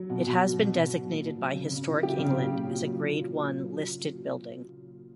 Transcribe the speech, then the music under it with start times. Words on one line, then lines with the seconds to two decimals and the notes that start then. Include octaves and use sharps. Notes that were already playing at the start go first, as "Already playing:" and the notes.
It has been designated by Historic England as a grade one listed building.
Already playing: F#3
0.10 B2 F#4
0.25 B2
0.41 F#3
0.58 B2
0.74 B2
0.90 F#3
1.06 A#2
1.22 A#2
1.38 F#3
1.54 C#3
1.70 C#3
1.86 E3
2.02 C#3 G4
2.19 C#3
2.35 F#3
2.50 A#2
2.67 A#2
2.83 F#3